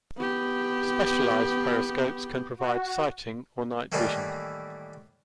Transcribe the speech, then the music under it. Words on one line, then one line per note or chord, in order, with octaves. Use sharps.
Specialised periscopes can provide sighting or night vision.
B3 G4
F#4
A2 D#3 E3 G3 A3 A#3